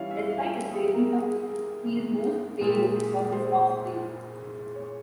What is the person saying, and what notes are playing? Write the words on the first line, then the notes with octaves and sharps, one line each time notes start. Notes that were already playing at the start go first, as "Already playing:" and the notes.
Despite his racing success, he is most famous for his offspring.
Already playing: E3 G3 C#4 E4 E5 F5
E5
F5
G4
G#4
A#4
G#4
A#2 G#3 E4 G#4
G4
G4
G#4
C5
C#5